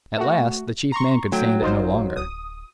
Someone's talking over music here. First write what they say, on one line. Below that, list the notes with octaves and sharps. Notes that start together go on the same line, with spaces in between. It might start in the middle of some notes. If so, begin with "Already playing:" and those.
At last the Chief Man could stand it no longer.
A3 F#4
A#5 C6 C#6
F#3 A3 G5
G#1 D#4 F4 C5
D1 D#6